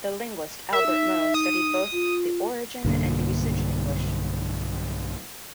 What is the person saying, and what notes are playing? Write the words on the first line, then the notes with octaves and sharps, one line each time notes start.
The linguist Albert Moe studied both the origin and the usage in English.
A#4 E5
D#4
D#6
F4
B1 G2 D3 A#3